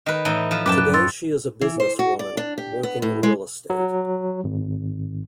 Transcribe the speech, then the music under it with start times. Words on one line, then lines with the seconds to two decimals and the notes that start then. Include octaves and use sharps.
Today she is a businesswoman working in real estate.
0.06 D#3 B4 D#5
0.25 A2 E3 D#4
0.51 F3 B4
0.66 F#2 B4 G5 A5 D6
0.78 F#6
0.94 C#5 C6 E6 A6
1.61 E3
1.80 C5
1.99 F#4
2.19 D5
2.37 D4
2.58 G4
2.83 B3
3.02 A2
3.23 G#3
3.70 F#3
4.44 G#1